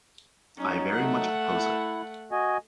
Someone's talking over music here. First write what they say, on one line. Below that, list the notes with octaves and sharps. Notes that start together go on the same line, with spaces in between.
I very much oppose it.
F#3 C#4 D#4
A3 F#5
E4
F#4 D#5 G#5